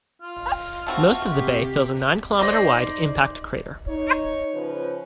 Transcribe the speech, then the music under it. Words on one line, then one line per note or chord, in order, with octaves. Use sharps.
Most of the bay fills a nine kilometer wide impact crater.
F4
A3 C4 F#4
C3 G4
D#4 F4 C5 D5
D#4 C#5
C#3 F3 B4